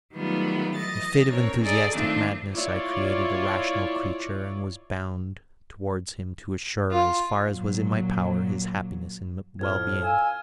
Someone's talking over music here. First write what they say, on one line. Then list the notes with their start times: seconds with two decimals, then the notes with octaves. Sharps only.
In a fit of enthusiastic madness I created a rational creature and was bound towards him to assure, as far as was in my power, his happiness and well-being.
0.13 D#3 F#3 G3 A3 B3 F4
0.76 E3 D#5 A6
1.29 C4 D4 A#4 C#5
1.62 G#4 A4 D5 D#5 A#5
1.95 D#3 A3 C4 D4 D#4 F4
2.54 E4 F4 C#5 D5
6.91 F4
7.49 A#2 F#3
9.59 F2 A2 F6 G#6
10.03 F5 G#5 E6